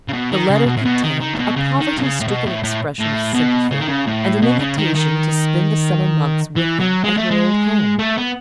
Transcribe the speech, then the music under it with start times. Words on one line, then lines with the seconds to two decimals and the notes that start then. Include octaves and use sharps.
The letter contained a poverty-stricken expression of sympathy, and an invitation to spend the summer months with them at her old home.
0.08 C#3
0.13 B2
0.31 D#3
0.50 C#3
0.66 B2
0.77 A2
0.85 B2
1.03 D#3
1.20 D#3
1.34 A2
1.38 B2
1.56 C#3
1.80 D#3
1.97 B2
2.03 C#3
2.20 A2
2.28 B2
2.46 A2
2.63 A2
2.99 A2
3.34 B2
3.71 C#3
3.79 D#3
3.88 C#3
4.07 A2
4.42 B2
4.59 C#3
4.78 D#3
4.95 D#3
6.56 E3
6.80 F#3
7.04 G#3
7.17 A3
7.31 G#3
7.99 A3
8.17 B3